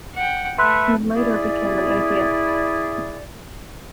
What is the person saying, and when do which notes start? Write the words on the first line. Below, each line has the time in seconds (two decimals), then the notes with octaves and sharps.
He later became an atheist.
0.15 F#5 G5
0.58 A3 B4 E5 C6 F#6
1.16 E4 G#4 D5